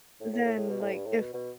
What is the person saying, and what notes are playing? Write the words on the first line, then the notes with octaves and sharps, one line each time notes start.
then, like, if
A2
A2
A2
A2
B2
A2
G2
A2
B2
B2